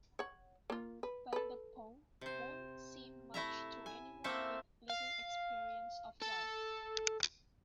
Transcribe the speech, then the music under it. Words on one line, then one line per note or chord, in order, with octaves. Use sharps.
But the poem won't seem much to anyone with little experience of life.
C#5 F#5
A#3 F4
B4
A4 B4
C3 C5
A3 E4 E5 A#5
G#5
A3 A#3 C4 A4 E5
F5
A4